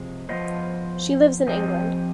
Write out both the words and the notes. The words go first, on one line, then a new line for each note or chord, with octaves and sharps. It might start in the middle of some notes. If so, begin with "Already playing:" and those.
She lives in England.
Already playing: C3 F3 G#3
F3 B3 F4 C5 D#5
F3 C4 G4 C5 D#5